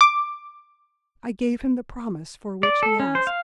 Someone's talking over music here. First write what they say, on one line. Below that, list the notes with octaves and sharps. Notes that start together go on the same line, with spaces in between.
I gave him the promise for which he asked.
D6
D5
A4
C#4
C5
F5